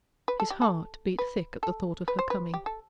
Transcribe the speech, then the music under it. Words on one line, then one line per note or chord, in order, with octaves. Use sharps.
His heart beat thick at the thought of her coming.
B4
A4
G4
A4
B4
A4
B4
C5
B4
G4
A4